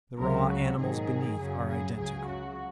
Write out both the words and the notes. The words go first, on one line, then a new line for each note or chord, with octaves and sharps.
The raw animals beneath are identical.
C#2 C#3 F#3 A#4
F#4
G#2 D#3 F#3 G#4
F#2 C#3 F#3
G#4
C#2 C#3 F#3 G#4
F#4